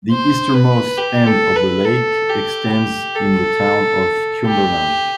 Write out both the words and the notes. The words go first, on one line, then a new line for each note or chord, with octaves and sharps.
The easternmost end of the lake extends into the town of Cumberland.
C5
B4
G4
A4
B4
A4
G4
G4
A4
G4